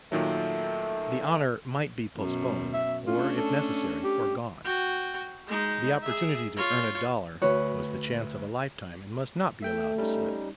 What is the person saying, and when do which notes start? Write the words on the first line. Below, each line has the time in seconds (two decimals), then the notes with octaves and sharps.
The honor might be postponed or, if necessary, foregone; the opportunity to earn a dollar was the chance of a lifetime and must not be allowed to slip.
0.12 A#2 D#3 F#3 A3
2.18 F#2 B2
2.73 E5
3.07 A3 C#4 D4 F4
3.37 A4
4.04 G4
4.64 F#4 G5
5.47 G#3 D#4
6.02 G#4 E5
6.57 F4 C#5
7.42 D2 F#4 B4 C#5
9.62 A3 E5 G5 G6
9.98 G3 C#4 D#4